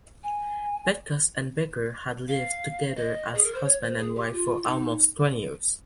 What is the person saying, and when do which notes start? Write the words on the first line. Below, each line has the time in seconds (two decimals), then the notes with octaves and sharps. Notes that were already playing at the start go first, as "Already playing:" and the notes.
Pettkus and Becker had lived together as husband and wife for almost twenty years.
0.23 G#5
2.28 F5
2.96 D#5
3.34 G#4
3.44 A#4
3.54 C5
3.64 C#5
3.81 C5
3.98 G#4
4.15 G4
4.33 F4
4.63 F4
4.67 D#4